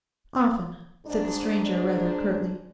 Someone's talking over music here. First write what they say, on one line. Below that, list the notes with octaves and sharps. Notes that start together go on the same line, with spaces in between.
'Often,' said the stranger rather curtly.
G#2 D4